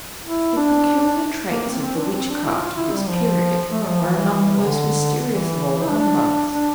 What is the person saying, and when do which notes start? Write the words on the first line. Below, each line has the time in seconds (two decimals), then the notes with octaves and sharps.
The peculiar traits of the witchcraft of this period are among the most mysterious of all humbugs.
0.24 E4
0.57 D4
1.50 A#3
1.62 A#3
1.66 C4
1.81 C4
1.97 D4
2.13 C4
2.29 D4
2.44 E4
2.55 F4
2.66 F4
2.76 E4
2.92 G3
3.08 F3
3.70 A3
3.86 F3
4.01 E3
4.57 C3
4.65 D3
5.26 E3
5.83 E4
5.90 D4
6.52 D4